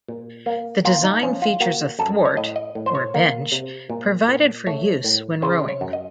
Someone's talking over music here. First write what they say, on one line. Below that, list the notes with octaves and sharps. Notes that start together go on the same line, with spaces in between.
The design features a thwart, or bench, provided for use when rowing.
A#2
A#3
A#2 F4
D#4
F3 C#4
F4
A#3 F#4
F#2 A4
C#5
A2 D#5
D#5
A2
C5
C#5
A#3
C3
A#2
A#2
A3 C#5
A2
C#3 C5
C#5
F#2
D#5